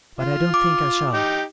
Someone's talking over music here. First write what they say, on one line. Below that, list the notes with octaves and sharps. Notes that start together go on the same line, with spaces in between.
But I don't think I shall.
F4
D6
D#4 G4